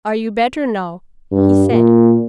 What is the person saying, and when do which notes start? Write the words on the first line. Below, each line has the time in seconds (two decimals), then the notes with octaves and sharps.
'Are you better now?' he said.
1.32 G2
1.70 A#2